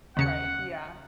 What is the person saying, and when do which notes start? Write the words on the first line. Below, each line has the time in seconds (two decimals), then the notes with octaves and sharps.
Right, yeah.
0.17 D#2 C#3 F#5 C#7